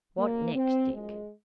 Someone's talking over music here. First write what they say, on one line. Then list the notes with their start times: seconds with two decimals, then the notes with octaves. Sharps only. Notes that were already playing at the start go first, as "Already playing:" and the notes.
"What next, Dick?"
0.17 F#2 C#3 F#3 A#3
0.55 C4
0.92 F#2 F3 G#3